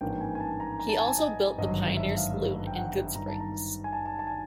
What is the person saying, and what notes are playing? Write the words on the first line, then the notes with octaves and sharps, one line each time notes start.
He also built the Pioneer Saloon in Goodsprings.
A1 G#2 F3 A#3 D4 G5
G#5
G#5
A5
A#5
A#5
A5
G#5
A5
D#5
G#1 G2 D3 F#3 D#5
E5
F5
G5
F#5
G2 D#3 G3 A#5
A5
A#5
G#5
A5
A5
A5
G#5